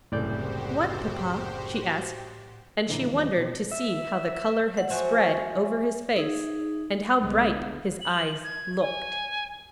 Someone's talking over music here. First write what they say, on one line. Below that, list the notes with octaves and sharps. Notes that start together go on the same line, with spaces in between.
"What, papa?" she asked, and she wondered to see how the color had spread over his face, and how bright his eyes looked.
F#1 C2 A2 F#4 G4 C5 D5 G6
A#1 D3 E3 D5 D#5 A#5
E2 D#3 F3 G3
B2 D#3 C4
E5
F#5
F3 F#3 C4 E5 G#5 C#6
D#4 G#4 E5
C2 D3 G#3 B3
F#7
G#6
G#5